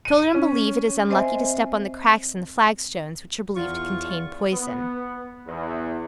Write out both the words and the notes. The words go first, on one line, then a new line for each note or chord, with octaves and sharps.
Children believe it is unlucky to step on the cracks in the flagstones, which are believed to contain poison.
D#7
C#4
C4 C5 D#5 E5 G#5
E2 F4 C#6
B3
E2